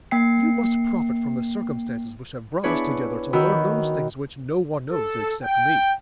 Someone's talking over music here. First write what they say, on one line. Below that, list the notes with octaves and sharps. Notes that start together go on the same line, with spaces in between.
You must profit from the circumstances which have brought us together to learn those things which no one knows except me.
A#3 G5 C7
B3 D4 E4 G#4 B4 C#5
D#3 F#4 G5 B5 E6
A4
G5